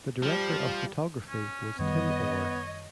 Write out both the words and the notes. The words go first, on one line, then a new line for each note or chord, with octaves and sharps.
The director of photography was Tim Orr.
F3 G3
C#4
F#2 D#3 G3 B3 C#5 D#5